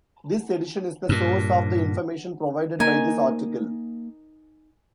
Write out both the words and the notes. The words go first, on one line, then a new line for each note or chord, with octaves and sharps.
This edition is the source of the information provided by this article.
G2 A#2
A#3 D#4 A#4 G#5